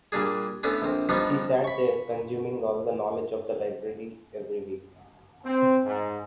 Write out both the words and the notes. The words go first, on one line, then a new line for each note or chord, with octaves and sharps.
He sat there consuming all the knowledge of the library every week.
A#2 G3 D4 G#4
A2 A3 B3 C#4 D4
A#1 C4
F3 G3 B3 D4 D#4
B5 C#6
C4
G#2